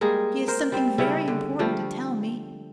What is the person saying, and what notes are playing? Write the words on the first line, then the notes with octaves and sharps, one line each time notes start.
"She has something very important to tell me."
G3 G#3 A#3 G#4
A#4 C5
G3 C4
C#3 G3 C#4 E4
D3
F3 G3 A3